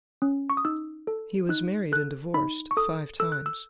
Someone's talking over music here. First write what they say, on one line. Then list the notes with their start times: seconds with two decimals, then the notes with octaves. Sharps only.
He was married and divorced five times.
0.22 C#4
0.50 C#6
0.57 D#6
0.65 D#4 E6
1.07 A4
1.49 D#4 F#6
1.92 A4 F#6
2.34 D#4 B5
2.71 C#6
2.77 A4 D#6
3.20 A4 E6
3.32 F#6
3.46 E6